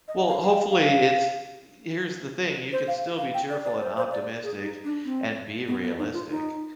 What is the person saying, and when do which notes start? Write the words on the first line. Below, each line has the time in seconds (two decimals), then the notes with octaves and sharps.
Well, hopefully, it's here's the thing, you can still be cheerful and optimistic and be realistic.
0.08 D#5
0.29 F5
0.40 F5
0.49 G5
0.70 F5
2.72 C5
2.88 F5
3.18 F5
3.34 G5
3.50 D5
3.65 D5
3.81 C5
3.97 C5
4.12 D5
4.43 G#4
4.63 D#4
4.84 D4
5.05 C4
5.68 B3
5.83 B3
5.99 D#4
6.13 F4
6.30 D#4